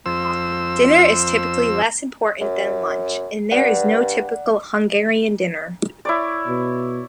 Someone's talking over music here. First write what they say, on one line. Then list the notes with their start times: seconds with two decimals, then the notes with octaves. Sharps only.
Dinner is typically less important then lunch, and there is no typical Hungarian dinner.
0.06 F2 C5 E6
2.41 F#2
3.51 G2 D5 F#5 C7
6.05 E4 C#5 D5
6.47 B2